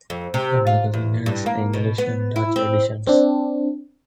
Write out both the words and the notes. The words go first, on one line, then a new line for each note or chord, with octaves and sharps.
The magazine has English and Dutch editions.
F2
C3
F4
E2
G2
A#3
B2
B3
E4
C4
C4 D4